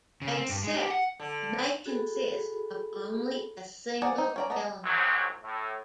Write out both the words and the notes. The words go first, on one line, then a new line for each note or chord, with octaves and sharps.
A set may consist of only a single element.
C#3
C4
G2
G#3
G4
F#5
D3
F#4 G#4 A4 B5
F3 G#4 D5 F#5 A#5
D#4
C#4 D5 A#5
B3 D5 D#5 A5 A#5
C2 G#2 F#3
A2